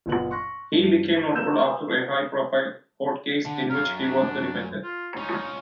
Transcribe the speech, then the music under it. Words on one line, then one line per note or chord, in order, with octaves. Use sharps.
He became notable after a high-profile court case in which he was the defendant.
F#1 A#2 B3 F#5 F#7
C6 C#6 F#6 A#6
G2
A#3 B4 E6 G6 E7
B4
D3
F#2 F5
D4
F4
C#4 D#4 F4